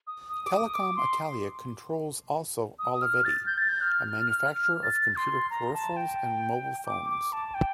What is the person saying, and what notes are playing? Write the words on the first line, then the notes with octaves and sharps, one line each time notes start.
Telecom Italia controls also Olivetti, a manufacturer of computer peripherals and mobile phones.
D#6
D#6
D6
D#6
D6
C6
D#6
D#6
F6
A6
G6
A6
G6
F6
A6
C6
A#5
A5
G5
D6
D6
A5
G5